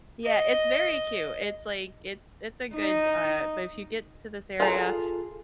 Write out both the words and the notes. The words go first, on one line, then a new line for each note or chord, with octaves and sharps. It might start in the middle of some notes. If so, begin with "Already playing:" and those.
Yeah, it's very cute. It's, like it's it's a good, uh but if you get to this area,
D#5
D#4
F4 G#4 A4 A#5